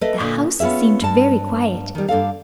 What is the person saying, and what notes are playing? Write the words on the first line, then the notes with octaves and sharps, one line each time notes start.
The house seemed very quiet.
A3 B4 D#5 E5
A#2 D3
B3 C#4 F4 G#4 E5
G2 A5
D#3 G3
G2 D4 A4 F5